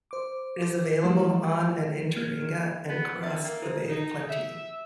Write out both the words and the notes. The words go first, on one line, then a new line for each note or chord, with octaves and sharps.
It is available on and in Tauranga and across the Bay of Plenty.
C5 D6
E3 F3 G3 A3 E4
A#3 F6 G#6
B3
D3 E5 A6
A#3
E4 A4 C5
D#4
E5